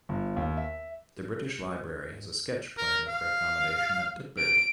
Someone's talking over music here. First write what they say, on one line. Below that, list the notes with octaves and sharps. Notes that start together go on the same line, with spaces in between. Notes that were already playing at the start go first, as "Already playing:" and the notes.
The British Library has a sketch plan of her accommodation at Tutbury.
G1
D#2
E5
A#4
F5
D7